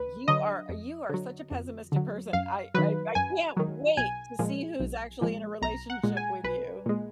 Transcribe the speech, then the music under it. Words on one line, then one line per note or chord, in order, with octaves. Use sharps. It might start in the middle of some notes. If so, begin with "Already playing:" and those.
You are you are such a pessimistic person. I I I can't wait to see who's actually in a relationship with you.
Already playing: D2 B4
D3 F#3 D#5
F2
D3 F#3
F2
D3 F#3
F#2 F5
D#3 F#3 B4
F#2 G#5
D#3 F#3
B1 G#5
A#2 F3 G#3
B1
A#2 F3 G#3
B1 A#5
F#5
A#2 G#3
G#5
B1 B4
A#2 G#3